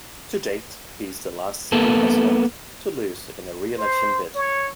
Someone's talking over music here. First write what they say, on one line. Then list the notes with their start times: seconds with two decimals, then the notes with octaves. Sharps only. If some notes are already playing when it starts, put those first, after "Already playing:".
To date, he is the last sitting president to lose in a re-election bid.
1.72 A#3 B3 A4
3.77 C5
4.35 C#5